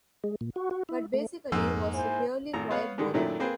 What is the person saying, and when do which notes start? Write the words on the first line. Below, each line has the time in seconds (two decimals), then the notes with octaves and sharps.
But basically was really quite boring.
0.24 G#3
0.41 A#2
0.56 F#4
0.71 F#4
0.89 E4
1.14 A3
1.52 F2 G#2 A#3 E6
1.94 E4 C5 G#5
2.53 G#1 A2 A#5
2.71 B3 B4 C#5 F5
2.98 G#2 D3 D#3 G#3
3.14 F#2 A#2 D#3 F#3 A3 E4
3.40 A#3 C4 G#4 B4 C5